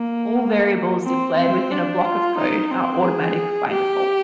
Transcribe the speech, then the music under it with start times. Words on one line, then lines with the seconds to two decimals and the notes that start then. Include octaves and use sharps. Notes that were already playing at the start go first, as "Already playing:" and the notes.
All variables declared within a block of code are automatic by default.
Already playing: A#3
1.05 C4
1.38 C4
1.71 D4
2.05 F4
2.38 D#4
2.71 C4
3.04 G#4
3.70 G4